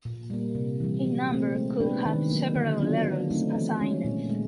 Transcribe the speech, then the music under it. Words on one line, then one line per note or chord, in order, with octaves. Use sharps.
A number could have several letters assigned.
A#2
G3 A#3
C3
E3 G3
F#3
A3 C4
G#3
B3 D4 G4 B4
D#3
F#3 A#3 D#4
D3
F#3 B3 D4 F4
D3
F#3 A3 C4 D#4
E3
G#3 C#4
A#2
G#3